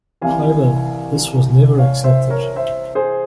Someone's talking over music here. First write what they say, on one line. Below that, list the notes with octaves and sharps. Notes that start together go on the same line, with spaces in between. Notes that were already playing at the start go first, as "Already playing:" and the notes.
However, this was never accepted.
C2 C3 E3 F5 G#5
C#5 F5
C5 E5
A#4 C#5
C5 E5
G#4 C5